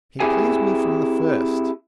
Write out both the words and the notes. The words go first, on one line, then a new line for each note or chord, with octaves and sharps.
He pleased me from the first.
C4 E4 G4 G#4 G#5